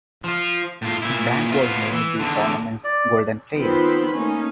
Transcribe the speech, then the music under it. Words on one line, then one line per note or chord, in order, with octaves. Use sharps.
Blanc was named the tournament's Golden Player.
F3 F4
A2 F4
A#2 E4
B3 F4
E3
E2 D3
D5
D#3 F3 B3 C4 C5 B5
A3 A#3 C#4 D#4